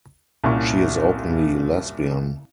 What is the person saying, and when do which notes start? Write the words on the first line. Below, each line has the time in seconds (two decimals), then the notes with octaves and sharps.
She is openly lesbian.
0.44 C2 A#2 C#4 C#6